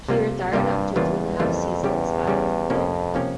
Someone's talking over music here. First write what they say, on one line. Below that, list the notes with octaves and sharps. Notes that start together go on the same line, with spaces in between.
He retired after two and a half seasons back at the club.
C3 G3 A#3 F4
G2 C3 G3 A#3 F4
E2 C#3 E3 G3 A#3 F4
F2 C#3 E3 G3 A#3 F4
E2 C#3 G3 C#4 G4
C#3 G3 C#4 G4
F2 C3 F3 A#3 C#4 G4
C3 F3 A#3 C#4 G4